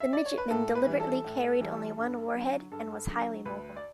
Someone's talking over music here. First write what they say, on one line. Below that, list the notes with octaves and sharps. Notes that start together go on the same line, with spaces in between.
The Midgetman deliberately carried only one warhead and was highly mobile.
E5
D5
C#5
B4
A2 A4
B4
E3 G3
A4
A2
E3 G3
G2
D3 F#3
G2 A4
D3 F#3
D2 B4
D5